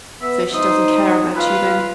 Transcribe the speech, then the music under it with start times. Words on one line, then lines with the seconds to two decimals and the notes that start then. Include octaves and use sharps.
"So she doesn't care about you, then?"
0.22 B3 E5
0.54 D#4 C5 D#6
1.36 F4 B4 F5